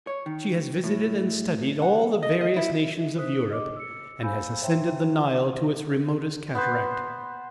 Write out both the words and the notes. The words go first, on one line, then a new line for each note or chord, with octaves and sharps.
She has visited and studied all the various nations of Europe, and has ascended the Nile to its remotest cataract.
C#5
D#3
A2
F#5
D#5
D#5
E4
D4 D#4 C5 D#6 F#6 B6
D#5 D6
E6 C#7
C5 F5 G#5 B5 E6 G6
C5 C#5 E5 G5 A#5 C6
B3 B4 C5